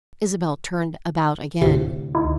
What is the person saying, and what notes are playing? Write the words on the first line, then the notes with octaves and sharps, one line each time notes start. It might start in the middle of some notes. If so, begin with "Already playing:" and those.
Isabel turned about again.
D2 A2 C3
D#4 E4